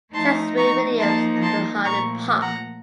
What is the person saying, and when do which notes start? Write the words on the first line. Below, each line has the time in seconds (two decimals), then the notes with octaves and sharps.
Jazmin Williams of The Honey Pop!
0.14 F3 A3 D#4 A5 C6
0.57 A#5 C#6
0.99 F3 A#3 D#4 A5 C6
1.42 A5 C6
1.84 A#2 F3 A3 A#5 C#6
2.41 F#5 A#5